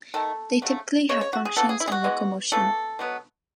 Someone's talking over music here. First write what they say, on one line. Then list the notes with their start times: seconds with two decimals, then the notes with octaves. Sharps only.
They typically have functions in locomotion.
0.14 D#3 A3 A4
0.62 C#3 F#3 A3
1.09 C#3 G#3 C#5
1.21 C#5
1.33 F#4
1.45 G#4
1.56 C#3 E3 B3 A4
1.69 G#4
1.80 E4
1.88 G#4
1.92 F#4
2.04 E3 G#3 B3
2.52 C#3 E3 A3 A4
2.99 B2 F#3 B3